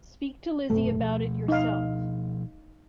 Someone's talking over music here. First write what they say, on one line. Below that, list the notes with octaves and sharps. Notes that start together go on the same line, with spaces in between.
Speak to Lizzy about it yourself.
G#1 F#2 B2 A3
B2 F3
D#4 F5